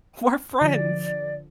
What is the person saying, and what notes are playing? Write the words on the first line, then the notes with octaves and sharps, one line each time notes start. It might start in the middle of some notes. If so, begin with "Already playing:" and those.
We're friends.
D3 F3 D5